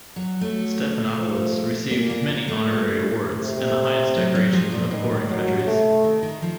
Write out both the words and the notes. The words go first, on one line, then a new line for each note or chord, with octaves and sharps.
Stephanopoulos received many honorary awards and the highest decorations of foreign countries.
F#3
F#3 A3
F3
A#2 A#3
A#3
A#3
A3
A#2
C3
F#3
F#3
F3
A#2
A2 D#3
A2 F#3
A#2
C3 A3
D#3
D#3
F3